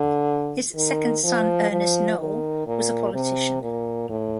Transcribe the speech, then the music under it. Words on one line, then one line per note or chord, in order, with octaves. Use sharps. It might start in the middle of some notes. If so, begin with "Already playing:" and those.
His second son Ernest Noel was a politician.
Already playing: D3
D#3
F3
F3
D#3
A#2
C3
A#2
A2